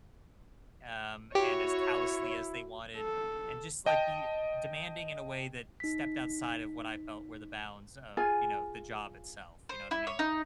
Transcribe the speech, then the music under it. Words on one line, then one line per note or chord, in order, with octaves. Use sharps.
um, and as callously as they wanted, and just, like, be demanding in a way that stepped outside of what I felt were the bounds of, you know, the job itself. You know what I mean?
E4 F#4 G4 C#5
A4
D#5 G5 A5
D#4 B6
F4 G#4 G#5
C5
E4
C#5
D#4